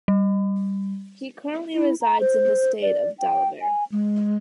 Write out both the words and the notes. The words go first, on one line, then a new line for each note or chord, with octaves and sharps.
He currently resides in the state of Delaware.
G3
E4
A#5
C5
D5
G5
G#5
G#3